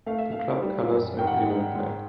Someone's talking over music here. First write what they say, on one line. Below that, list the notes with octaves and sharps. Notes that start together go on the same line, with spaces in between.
The club colors are green and black.
A3 F5
E5
A3 F5
G3
F#2
D#3 G5
F#5
G5
G#2
G#2